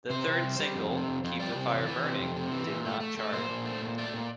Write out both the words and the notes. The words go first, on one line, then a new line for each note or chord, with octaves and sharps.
The third single "Keep The Fire Burning" did not chart.
C3 C5
C3
G3
G3
F2
C3
F2
F2
G3 D5
C3
E3
E3
C3
F2
C3
E3
A#2
A3
A3
A3
A#2 C5
A#2
A3
A#2
A3 D5
A#2